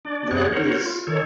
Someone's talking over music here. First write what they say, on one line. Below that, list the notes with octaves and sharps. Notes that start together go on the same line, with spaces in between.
There is.
D4 D5
F#2 B3 G#4 C#5 D5 F#6
A#4 C5 C#5 F#5
F4
D#3 A4 C#5